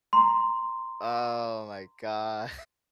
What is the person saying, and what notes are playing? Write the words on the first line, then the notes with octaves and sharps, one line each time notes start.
Oh my god.
A#5 C6